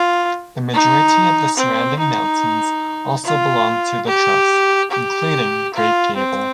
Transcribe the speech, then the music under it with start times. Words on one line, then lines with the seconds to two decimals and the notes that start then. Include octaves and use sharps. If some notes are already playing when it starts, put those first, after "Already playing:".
The majority of the surrounding mountains also belong to the Trust, including Great Gable.
Already playing: F4
0.73 D#4
1.57 C4
1.98 D#4
3.24 F4
4.07 G4
4.91 G4
5.74 F4
6.16 C4